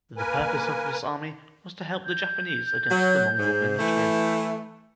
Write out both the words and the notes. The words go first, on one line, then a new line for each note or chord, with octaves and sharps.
The purpose of this army was to help the Japanese against the Mongol military.
A#3 A#4 B4 G#5
G6
F#3
G#2
E3 A3